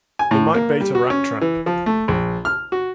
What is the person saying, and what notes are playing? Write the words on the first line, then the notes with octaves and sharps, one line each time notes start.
It might bait a rat-trap.
G#5
A2
A#3
G3
F#4
C#4
E3
F3
A3
A#1
F6
F#4